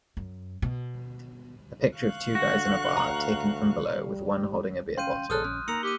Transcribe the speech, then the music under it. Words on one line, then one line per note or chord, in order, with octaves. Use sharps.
A picture of two guys in a bar taken from below with one holding a beer bottle.
F#2
B2
F5 C#6 F#6
D3 F#4
D2 A#5
G3
C#4 F5 G5 C6 G6 D#7
A#1 G#4 A4 C5 D#6 F6 F#6
C#4
A#3 D#4 A#4 A#5 E6 C#7 F#7
G4 D#7 G7